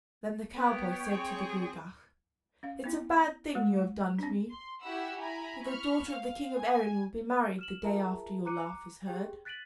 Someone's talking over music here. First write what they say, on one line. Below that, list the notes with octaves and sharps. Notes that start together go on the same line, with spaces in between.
Then the cowboy said to the Gruagach: "It's a bad thing you have done to me, for the daughter of the king of Erin will be married the day after your laugh is heard."
B3 C#5 G5
C4 G#4
C#4 F5
B3 D#4 E4
G#3 F#4 C#5
C4 D4
C6
E4 F#4 G4 F#5 B5 E6
E4 G#5 A#5 B5
B5 C#6 F6
F5
G#5
F6 E7 F#7
F4 G#4 A#4 E5 A5 A#5
A#5 D6 F#6 C#7 D#7
G4 G#4 C#5 G5
F#6 A6 B6 D7 D#7 F#7